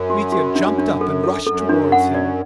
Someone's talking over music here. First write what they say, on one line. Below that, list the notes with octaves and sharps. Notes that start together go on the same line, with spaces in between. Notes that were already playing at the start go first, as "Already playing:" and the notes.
Mitya jumped up and rushed towards him.
Already playing: F#2
F#4
F#4
D4
D4
A4
A4
F#2 A4
D4
F#5
D5